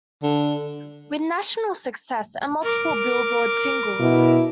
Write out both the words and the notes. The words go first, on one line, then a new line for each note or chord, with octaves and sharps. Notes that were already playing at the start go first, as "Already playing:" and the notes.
With national success and multiple Billboard singles.
D3
A#4 D6
B2 E4